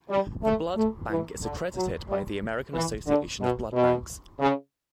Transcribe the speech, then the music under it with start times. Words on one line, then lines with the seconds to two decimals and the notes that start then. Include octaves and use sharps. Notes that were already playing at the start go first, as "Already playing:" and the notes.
The blood bank is accredited by the American Association of Blood Banks.
0.10 G3
0.43 A3
0.76 A3
1.09 E3
1.42 D3
1.76 F#3
2.09 G3
2.74 E3
3.07 D3
3.41 B2
3.73 B2
4.40 C#3